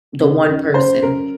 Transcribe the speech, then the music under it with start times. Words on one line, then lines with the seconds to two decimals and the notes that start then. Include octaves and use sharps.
the one person.
0.20 C3
0.48 F#2
0.74 F#2 C5
1.02 F#2 A#4